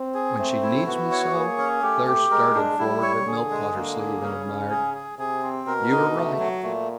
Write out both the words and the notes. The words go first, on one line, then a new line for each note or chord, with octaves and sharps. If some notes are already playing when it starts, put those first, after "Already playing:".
When she needs me so?" Claire started forward, but Milt caught her sleeve, and admired, "You were right!
Already playing: C4
G#4
A3 C4
E4
B3 F#4
C#5
A#3 G#4
C#4
A3 G4
G4
G#3 A#4
D4
G3 E4
C#5
D3 G#4
G#3
D3 A#3
G#4
C#3 C#4
C#4
G#4
G#4
C3 G#4
C4
B2 A#4
D#4
A3
F#3
A#2 A3